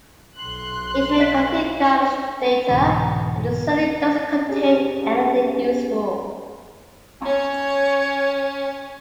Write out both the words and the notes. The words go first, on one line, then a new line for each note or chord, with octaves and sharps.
It may contain garbage data, and it certainly doesn't contain anything useful.
B1 C6 F#6
D#5 F5 B6
C2 G#2 B2 D3 E3
C#4 G4 G#4
C#4 C#5